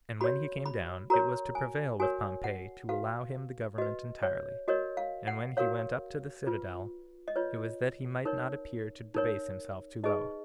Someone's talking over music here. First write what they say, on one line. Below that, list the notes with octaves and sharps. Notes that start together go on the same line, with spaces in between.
And when he came down, it was to prevail with Pompey to allow him the government entirely; and when he went up to the citadel, it was that he might not appear to debase himself too low.
F#4 C#5 B5
B5
F#4 A#4 C#5 A#5
G#5
F#4 A#4 C#5 G#5
F#5
F#4 B4 F5
F#4 B4 D#5
C#5
F#4 A#4 C#5 D#5
F5
F#5
F#4 A#4 C#5 F5
F4 B4
D#5
F4 B4 C#5
D#4 A#4 C#5
D#4 A#4 C#5
D#4 G#4 B4 D#5